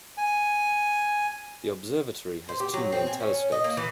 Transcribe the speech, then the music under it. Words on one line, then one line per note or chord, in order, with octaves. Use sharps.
The observatory has two main telescopes.
G#5
C5
G4
F#3
C4
G#5
C#4
C#4
D#5
A#3
E3